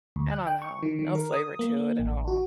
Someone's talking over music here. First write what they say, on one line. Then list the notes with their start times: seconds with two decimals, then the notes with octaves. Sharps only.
I don't know, no flavor to it at all.
0.16 D2
0.32 F#6
0.47 G5
0.62 C#6
0.83 D#3
0.99 D#3
1.15 A#4
1.33 D#6
1.59 A#3
1.77 A#3
1.99 A1
2.28 F#4